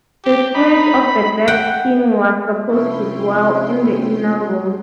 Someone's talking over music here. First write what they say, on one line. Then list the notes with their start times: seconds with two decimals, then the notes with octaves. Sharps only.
The spirit of the dead king was supposed to dwell in the inner room.
0.25 G4
0.55 D#4 B5
1.48 F#5 G5
2.69 C3 F3 A3 C#4 E4 G5 C6